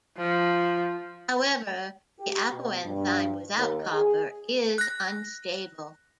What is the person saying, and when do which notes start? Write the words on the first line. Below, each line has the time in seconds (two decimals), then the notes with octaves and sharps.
However, the apoenzyme without copper is unstable.
0.17 F3
2.20 G4
2.50 B2
2.84 G2
3.56 D#2
3.90 G#4
4.78 F#6 A#6